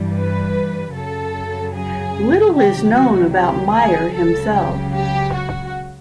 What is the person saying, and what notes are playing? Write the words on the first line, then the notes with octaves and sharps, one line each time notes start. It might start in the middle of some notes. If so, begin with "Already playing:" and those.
Little is known about Meyer himself.
Already playing: G2 E3 G3
B4
F#2 C#3 F#3 A4
G#4
C#2 C3 D#3 F#3 G4
F#4
G4
G#4
C#2 C#3 F#3 A4
G4
G4
F#4